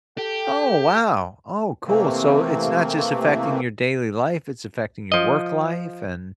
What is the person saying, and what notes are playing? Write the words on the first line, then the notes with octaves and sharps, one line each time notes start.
Oh, wow. Oh, cool. So it's not just affecting your daily life, it's affecting your work life and
G4 A4 G5
C3 E3 A3 A#3 C4
F3 D#5